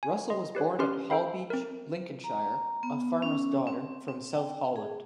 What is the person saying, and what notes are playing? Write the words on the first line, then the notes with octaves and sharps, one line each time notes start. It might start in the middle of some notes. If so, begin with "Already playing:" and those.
Russell was born at Holbeach, Lincolnshire, a farmer's daughter from South Holland.
G#5
D#5 C6
G4 B4 C#5
C#4 G4 B4 C6 F6
A4 C5 F5 B5
C4 A#4
A#5
B3
C#4
C4
C4
G5
G#4